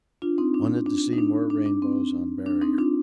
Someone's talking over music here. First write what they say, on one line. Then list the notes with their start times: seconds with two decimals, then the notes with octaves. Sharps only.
Wanted to see more rainbows on Barrier.
0.22 D4 F4
0.38 C4 D#4
0.54 D4
0.86 D4
1.13 D#4
1.18 D4
1.50 D4
1.66 D4
1.82 C4
2.46 D4
2.62 C4 D#4
2.78 D4 F4